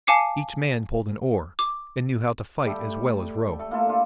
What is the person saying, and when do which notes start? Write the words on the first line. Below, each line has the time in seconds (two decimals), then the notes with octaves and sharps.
Each man pulled an oar, and knew how to fight as well as row.
0.07 F5 G#5 A5 D6 C7 C#7
1.59 D6
2.65 G3 A3 G4 A4
3.59 A3 A4
3.71 A#3 E4 F4 A4
3.87 D4 F4